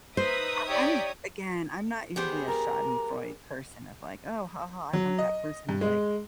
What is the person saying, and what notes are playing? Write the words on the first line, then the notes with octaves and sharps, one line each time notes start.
I I'm Again, I'm not usually a schadenfreude person of, like, "Oh ha ha, I want that person to, like
D#4 B4 C5 E5 D#6
G4 C#5 D5
G3 B3 D4 G4 G#4 C5
A#4 A#5
F#3
D#5
G2
G#3